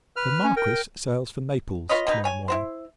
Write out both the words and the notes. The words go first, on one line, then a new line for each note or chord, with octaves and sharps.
The Marquis sails for Naples to-morrow morning.
B4 F6
C#4
A#4 G5
F4 B4 C#5 D#5
B2 D#4 B4
C#5 G#5
E4 F#4 C5